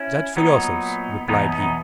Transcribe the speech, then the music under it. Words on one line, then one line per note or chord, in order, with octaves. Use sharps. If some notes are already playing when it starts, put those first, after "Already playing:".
"Judge for yourself," replied he.
Already playing: C#4 E4
A#2 F#3 B3 D#4
E2 B2 F#3 B3 D#4
B3 D#4